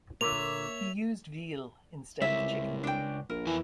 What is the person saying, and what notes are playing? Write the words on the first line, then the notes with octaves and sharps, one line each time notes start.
He used veal instead of chicken.
A#2 D3 A#3 F4 C#5 E5 F7
C2 C#3 G#3 E5
D4 G5
A#1 A#4
F2 E3 B3 G#5